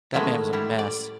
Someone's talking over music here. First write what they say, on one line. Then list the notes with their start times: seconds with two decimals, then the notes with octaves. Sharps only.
That man was a mess,
0.14 D#3 G#3 A3 B3 C#4 E4
0.53 A2 G3 E4
0.79 D5